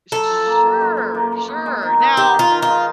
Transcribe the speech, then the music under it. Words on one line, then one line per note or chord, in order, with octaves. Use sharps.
S sure, sure, now,
F#2 A4
F3
A#3
F#2
F#2
F3
A#3
A#3
B3
G#3
D#3
B3
D#3 G4
D#3
F4
D#3
F4
G#3